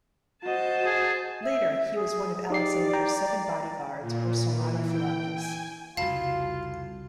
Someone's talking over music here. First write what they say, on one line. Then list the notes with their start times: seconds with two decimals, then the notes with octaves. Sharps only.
Later, he was one of Alexander's seven bodyguards, or somatophylakes.
0.44 F#4 C5 D#5 A5
0.86 G#4
1.43 E5
1.94 G#4
2.50 D#4 G4 D5 C7
2.94 G5 A#5
4.01 A#2
4.53 E3
4.88 G5
5.35 G#5
5.97 C2 F2 C#3 F4 F#4 F5 A5 B5